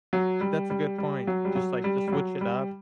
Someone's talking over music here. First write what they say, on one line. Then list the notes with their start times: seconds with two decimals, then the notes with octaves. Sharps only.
That's a good point. Just, like, to switch it up.
0.13 F#3
0.41 G3
0.70 G3
0.98 G3
1.27 F#3
1.45 G3
1.55 F#3
1.84 G3
2.08 G3
2.12 F#3
2.41 G3